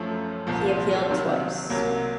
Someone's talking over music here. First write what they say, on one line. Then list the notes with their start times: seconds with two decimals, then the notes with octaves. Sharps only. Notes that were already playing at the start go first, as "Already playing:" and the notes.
He appealed twice.
Already playing: F#2 F3 A3 C#4
0.47 C2 A#2 F3
1.09 C3 D#3 F#3
1.70 C2 C3 F#3 A#3